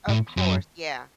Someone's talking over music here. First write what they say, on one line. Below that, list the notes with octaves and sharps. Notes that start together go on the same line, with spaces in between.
Of course, yeah.
A2
F#2